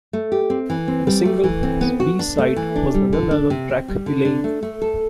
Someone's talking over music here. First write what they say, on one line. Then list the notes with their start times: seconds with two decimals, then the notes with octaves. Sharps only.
The single's B-side was the non-album track "Elaine".
0.13 A3
0.32 G4
0.50 C4
0.70 E3
0.88 C4
1.07 G3
1.25 A3
1.44 E3
1.63 C4
1.81 B3
2.00 F#4
2.19 D4
2.38 A3
2.56 E3
2.76 D4
2.94 G3
3.13 D3
3.31 D4
3.50 C3
3.69 C4
3.88 G3
4.06 D3
4.25 D4
4.44 A3
4.63 A3
4.82 A4